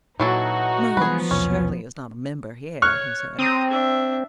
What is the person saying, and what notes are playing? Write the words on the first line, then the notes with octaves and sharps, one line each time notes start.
"Merle Shirley is not a member here," he said.
A#2 E3 F#3 D#4 F#4 A4
E3 F3 G3 G#3 B3 G#4 B4
B1 E2 C3 C#4
C#5 C#6 F6 F#6
C4 A#5 D#6
D4 E5